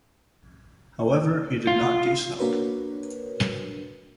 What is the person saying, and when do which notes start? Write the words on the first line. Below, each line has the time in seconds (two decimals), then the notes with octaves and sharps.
However, he did not do so.
1.67 F4
2.39 A#3 D4 F#4 A#4 B4 C#5